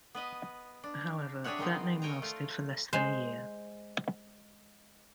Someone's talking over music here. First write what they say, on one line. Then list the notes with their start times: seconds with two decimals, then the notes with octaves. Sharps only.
However, that name lasted for less than a year.
0.15 B3 B4 D#5
0.84 D4
1.44 C3 D4 G#4 C#5 E5 F#5
1.59 D#3 G#3 B3 C4 D#4
2.02 C#5 G5 G#5 A#5
2.22 A3 F4
2.93 G#3 C5